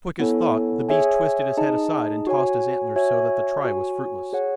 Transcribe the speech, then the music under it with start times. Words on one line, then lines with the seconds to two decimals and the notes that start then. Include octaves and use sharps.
Quick as thought the beast twisted his head aside and tossed his antlers so that the try was fruitless.
0.20 B3 E4 A4 C#5 G#5
0.89 G#4 C#5 E5 G#5
1.57 D#4 G#4 D#5 A5
2.27 F#4 C#5 G#5
2.96 F#4 C#5 E5 G#5
3.64 F#4 C#5 G#5
4.33 G#4 C#5 F#5